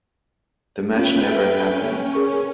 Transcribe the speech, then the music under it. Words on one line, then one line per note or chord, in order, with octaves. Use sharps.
The match never happened.
B3 C#4 F4 B4 G5
A4 E5
C#4
G#4 A#4 C#6